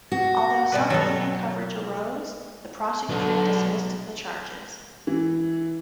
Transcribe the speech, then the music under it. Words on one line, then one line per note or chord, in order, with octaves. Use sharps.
Although some media coverage arose, the prosecutor dismissed the charges.
F#4
B2 G3 B4
F#3 B3 A4
D3 F#3 B3
E3